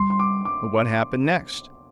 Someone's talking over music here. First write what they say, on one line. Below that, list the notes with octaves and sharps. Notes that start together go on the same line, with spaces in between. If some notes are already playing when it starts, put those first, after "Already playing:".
"What happened next?"
Already playing: G3 C6
C6
D6
D6